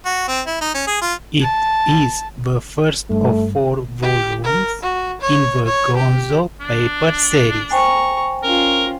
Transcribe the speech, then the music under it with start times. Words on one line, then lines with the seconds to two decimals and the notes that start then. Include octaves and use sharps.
It is the first of four volumes in "The Gonzo Papers" series.
0.06 F#4
0.28 C4
0.46 E4
0.61 D#4
0.75 C#4
0.87 G#4
1.02 F4
1.40 A5
3.10 G2 A3
4.02 G4
4.44 A#4
4.82 F#4
5.21 C#5
5.66 C#5
5.97 G4
6.60 D4
7.71 C5 G5 G#5 A#5 C#6
8.43 C#4 F4 A#4